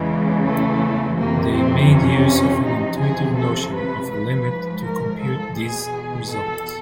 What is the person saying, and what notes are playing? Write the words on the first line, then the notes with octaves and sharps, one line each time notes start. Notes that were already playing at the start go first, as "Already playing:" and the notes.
They made use of an intuitive notion of a limit to compute these results.
Already playing: E2 C#3 E3 G#3
A3
F2 C3 E3 A#3
C4
C#4
E2 C3 F3 D#4
G#4
A4
B4
G#2 F3 B4
A#4
A4
E2 B2 G#4
A4